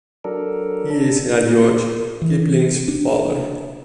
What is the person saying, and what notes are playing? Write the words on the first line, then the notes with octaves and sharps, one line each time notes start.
He is Rudyard Kipling’s father.
F#3 D4 A4 A#4
E3
D4